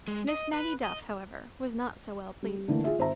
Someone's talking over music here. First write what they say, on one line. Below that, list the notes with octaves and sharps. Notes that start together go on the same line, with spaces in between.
Miss Maggie Duff, however, was not so well pleased.
G#3
D#5
B4
D#5
G3
D3 E3 A3 A#3
F4 G#4 E5
G#1 C5 E5 A#5